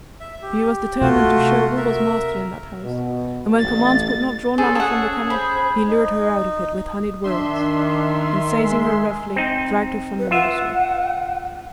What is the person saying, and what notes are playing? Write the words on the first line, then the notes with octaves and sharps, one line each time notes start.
He was determined to show who was master in that house, and when commands would not draw Nana from the kennel, he lured her out of it with honeyed words, and seizing her roughly, dragged her from the nursery.
E5
G4
C3 A3 F4 F#4
A#4 E5
B2
A1 A6
C#4 G#4 A4 C5
G#4 A4 F#5
C5 B5
D#4
D#3 D4 E5 C6
G#3
C4 D#4
B4
F4 E5 F#5